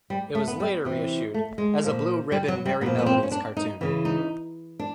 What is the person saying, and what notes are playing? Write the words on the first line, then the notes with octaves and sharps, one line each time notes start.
It was later reissued as a Blue Ribbon Merrie Melodies cartoon.
G3
A3
B3
G3
C3 E3
A3
G#3
A#2 F3
G3
F#3
G3
A#2 F3 B3
B3
C4
C#4
D4
D#4
C#3 E3
D#4
D4